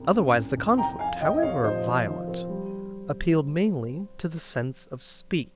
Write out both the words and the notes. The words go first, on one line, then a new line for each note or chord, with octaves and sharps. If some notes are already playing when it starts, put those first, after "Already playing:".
Otherwise the conflict, however violent, appealed mainly to the sense of speed.
Already playing: C2
C#4
C2
C2
F2 G5 A#5
F2 F5 G#5
F2 D#5 G5
D#5
C3 C#5 F5
F3 C5 D#5
F3
F3
C4
G3